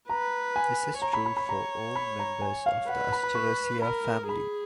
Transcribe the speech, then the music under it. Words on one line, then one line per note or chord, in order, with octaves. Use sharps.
This is true for all members of the Asteraceae family.
B4 A#5
G#5
C#5 A#5
B5
B5
B5
A#5
B5
A#5
G#5
F5
B4 F#5
B5
B5
C#6
A#4 B5
A#5
G#4 B5